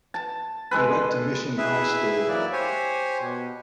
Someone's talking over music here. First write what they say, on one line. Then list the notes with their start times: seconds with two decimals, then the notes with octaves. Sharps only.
He went to Mission High School.
0.14 A5
0.71 G#3 A4 B4
1.57 E4 G#4 B4 E5
2.28 E3 F#3 A#3 E4 D5
2.52 G4 C5 C#5 G#5
3.20 B2